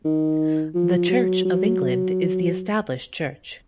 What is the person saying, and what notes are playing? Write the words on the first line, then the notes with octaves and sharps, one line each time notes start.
The Church of England is the established church.
D#3
F3
F#3
F#3